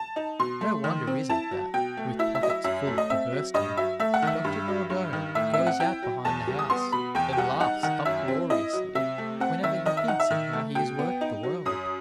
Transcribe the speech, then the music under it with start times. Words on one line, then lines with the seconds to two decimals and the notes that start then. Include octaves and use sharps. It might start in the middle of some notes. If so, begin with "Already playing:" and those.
No wonder is it that, with pockets full to bursting, Doctor Nordau goes out behind the house and laughs uproariously whenever he thinks of how he has worked the world!
Already playing: A5
0.16 D#4
0.39 B2 C6
0.61 A3
0.84 D#3
1.07 C4
1.29 E4 A5
1.51 F#3
1.74 B2 G5
1.97 A3
2.19 E4 E5
2.35 E5
2.41 F#3 D#5
2.50 E5
2.64 F#2 E5
2.87 A3
2.98 D#5
3.10 C4 E5
3.32 F#3
3.54 G2 D#5
3.77 F#3 E5
4.00 A3 E5
4.14 F#5
4.22 D#3 E5
4.44 G2
4.68 F#3
4.90 G2
5.13 D#3
5.35 A2 E5
5.54 C4 E5
5.67 F#5
5.80 E4 G5
6.03 F#3
6.25 E2 A5
6.47 G3
6.59 D#6
6.70 B3 C6
6.92 B2 B5
7.15 E2 G5
7.33 G5
7.37 G3 F#5
7.60 D#4 F#5
7.83 D#3 F#5
8.05 F#2 E5
8.28 C4
8.50 E4 D#5
8.73 F#3
8.95 C3 E5
9.18 A3
9.40 C4 F#5
9.63 D#3 E5
9.85 D#3 D#5
9.97 E5
10.08 D#4 F#5
10.20 E5
10.31 D#3
10.53 A3
10.75 B2 G5
10.99 B3
11.21 D#4
11.43 F#3
11.65 F#2 D#6